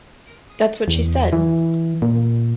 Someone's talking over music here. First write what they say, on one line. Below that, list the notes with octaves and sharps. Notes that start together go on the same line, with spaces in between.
That's what she said!
E2
E3
A#2